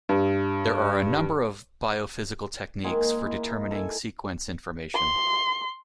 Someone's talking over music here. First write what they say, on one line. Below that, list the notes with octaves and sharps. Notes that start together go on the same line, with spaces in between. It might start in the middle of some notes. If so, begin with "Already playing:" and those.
There are a number of biophysical techniques for determining sequence information.
G2
D#3 G#3 A#3 G#5
E4
A4 G#5
C6